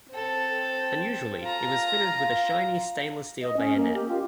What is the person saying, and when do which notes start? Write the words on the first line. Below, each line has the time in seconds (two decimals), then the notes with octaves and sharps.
Unusually, it was fitted with a shiny stainless steel bayonet.
0.11 C4 A4
1.43 F4 A#5
3.42 D#5
3.57 C#4
3.77 A#3
3.94 G4
4.08 F4